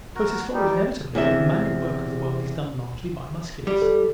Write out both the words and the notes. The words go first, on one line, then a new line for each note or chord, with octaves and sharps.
So it has followed inevitably that the manual work of the world is done largely by Musculars.
F#4 A#4
G3 D#4
E2 C3 E5
G3
A4